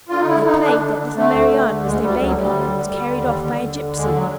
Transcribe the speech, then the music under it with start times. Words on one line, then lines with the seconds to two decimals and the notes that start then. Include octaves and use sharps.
They played that little Marianne was their baby, and was carried off by a gypsy.
0.09 D3 F4
0.22 D#4
0.27 D3 E4
0.45 D3 D#4
0.62 D3 D4
0.80 D3
0.97 D3
1.15 D3 A3
1.32 D2
1.50 D3
1.68 D3
1.85 D2 G#3
2.03 D2 G3
2.20 D2 F#3
2.38 D2 G3
2.56 D3
2.73 D3
2.91 D3
3.09 D#2
3.27 D3
3.44 D3
3.62 D3
3.79 D3
3.96 D#2 G#3
4.14 F#3